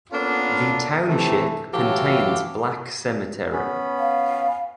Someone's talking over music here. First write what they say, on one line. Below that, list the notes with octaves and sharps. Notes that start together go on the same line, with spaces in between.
The township contains Black Cemetery.
A#3 B3 C#4 D4 F4 A4
C3 E3 A3
A2 E3 F#3 G4 A4 F5
B3 C#4 B5
F5